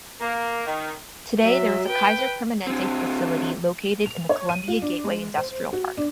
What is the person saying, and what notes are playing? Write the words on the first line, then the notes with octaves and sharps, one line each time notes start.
Today, there is a Kaiser Permanente facility located in the Columbia Gateway industrial park.
A#3
D#3
F#3 E5
B4 G5
D3 C4
F7
C#5
D#7
F4
D4
G#3
C5
F#4
D4